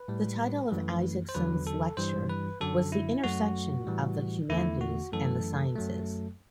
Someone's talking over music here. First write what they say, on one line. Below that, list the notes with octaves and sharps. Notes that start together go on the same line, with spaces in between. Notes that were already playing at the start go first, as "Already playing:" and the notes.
The title of Isaacson's lecture was The Intersection of the Humanities and the Sciences.
Already playing: B4
A2 G3
F#2 E3 A3
C5
E2 D3 F#3 B4
A4
G2 E3 G3 C5
B4
F#2 D3 F#3 A4
E4
F#2 F#3 A3 F#4
A2 E3 G3
E2 D3 A3 E4
F#4
F#2 E3 A3 A4
F#2 F#3 A3